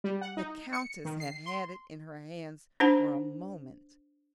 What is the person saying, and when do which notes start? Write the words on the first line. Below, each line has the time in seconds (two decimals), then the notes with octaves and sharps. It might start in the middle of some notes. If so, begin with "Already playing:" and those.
The Countess had had it in her hands for a moment.
0.04 G3
0.21 F#5
0.37 D#4
0.73 C#7
1.05 D#3
1.20 C7
1.46 C6
2.80 D4 D#4 C5 F#5 A5